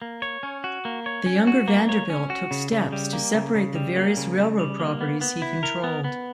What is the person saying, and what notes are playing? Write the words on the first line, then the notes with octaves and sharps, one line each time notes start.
The younger Vanderbilt took steps to separate the various railroad properties he controlled.
A#3
C#5
C#4
F#4
A#3
C#5
C#4
F#4
A#3
C#5
C#4
F#4
C#3
C#3
G3
A#3
C#3
C#3
G3
A#3
C#3
C#3
G3
A#3
B3
B3
E4
A#4
B3
B3